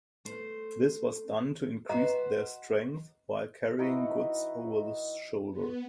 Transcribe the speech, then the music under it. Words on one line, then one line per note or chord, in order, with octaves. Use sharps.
This was done to increase their strength while carrying goods over the shoulder.
A3 C5
F#4 B4 C5 D#5 A#5
E3 D#4 E4 F#4
B3